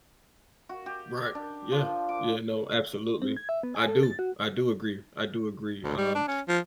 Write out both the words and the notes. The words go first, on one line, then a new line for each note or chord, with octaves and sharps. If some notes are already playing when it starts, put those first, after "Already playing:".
Right. Yeah. Yeah, no, absolutely. I do. I do agree, I do agree, um,
F#4
G4
D4
F3
D6
C4
G#6
E5
B3
G#5
A4
A6
F#4
D2
G3
D4
C#4
F3